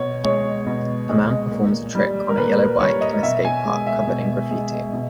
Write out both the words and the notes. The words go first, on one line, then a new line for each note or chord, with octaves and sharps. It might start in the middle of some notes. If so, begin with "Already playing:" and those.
A man performs a trick on a yellow bike in a skate park covered in graffiti.
Already playing: B2 C#5
G#3 C#5
B2
G#3
A#2
G3
A#4
A#2 B4
G3 C#5
D#5
B2 E5
G#5
G#3
E5
B2
G#3
B2